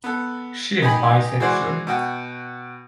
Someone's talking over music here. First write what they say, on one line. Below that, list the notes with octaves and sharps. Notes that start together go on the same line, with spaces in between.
She is bisexual.
B3 A4
D#4 G4 G#5 B5
E3 G#3 F#4 C5 D5
B2 F#4 G5